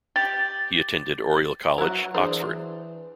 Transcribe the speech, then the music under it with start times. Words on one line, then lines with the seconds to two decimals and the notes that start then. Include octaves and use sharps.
He attended Oriel College, Oxford.
0.16 G4 A6
1.78 F#3 E4 F#4 A#5 F#6
2.14 E3 D4 G#4 C5